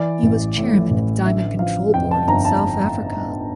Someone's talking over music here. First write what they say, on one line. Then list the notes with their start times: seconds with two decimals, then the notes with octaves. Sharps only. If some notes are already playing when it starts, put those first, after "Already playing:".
He was Chairman of the Diamond Control Board in South Africa.
Already playing: E3 D5
0.23 A1
0.57 A2
0.91 A1
1.25 D3 E5
1.59 F3 F5
1.94 F2 G5
2.11 A5
2.28 G1 A#5
2.45 A5